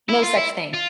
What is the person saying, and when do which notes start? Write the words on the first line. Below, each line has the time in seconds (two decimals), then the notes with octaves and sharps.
No such thing.
0.09 E4
0.22 F4
0.36 E4
0.73 F4